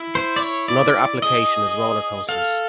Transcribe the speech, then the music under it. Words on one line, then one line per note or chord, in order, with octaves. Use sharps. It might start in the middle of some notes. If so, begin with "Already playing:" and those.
Another application is roller coasters.
Already playing: E4
C5
D5
C#5
D5
G#4 D#5
A4 F5